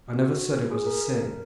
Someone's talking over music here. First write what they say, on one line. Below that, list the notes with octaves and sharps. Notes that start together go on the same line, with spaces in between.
"I never said it was a sin."
F#4
G#4
A#4
A#4